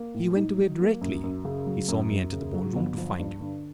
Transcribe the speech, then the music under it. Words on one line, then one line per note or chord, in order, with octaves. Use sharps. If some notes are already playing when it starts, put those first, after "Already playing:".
"He went away directly he saw me enter the ball-room to find you."
Already playing: A#3
A2
D#4
F#3
A#3
F#2
F#2
C#3
F#3
F#2
F#2
C#3
F#3
G1
F3
G2
D3